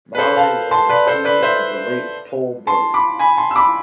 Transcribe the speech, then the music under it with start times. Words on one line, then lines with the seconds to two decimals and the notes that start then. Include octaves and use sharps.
Mallory was a student of the late Pol Bury.
0.15 B4
0.18 A4 C5
0.36 F5 A5
0.71 A5 C6
0.89 B4 D5
1.07 A4 C5
1.24 B4 D5
1.43 C5 E5
2.67 A5 C6
2.94 B5 D6
3.19 G#5 B5
3.37 A5 C6
3.51 E6
3.56 B5 D6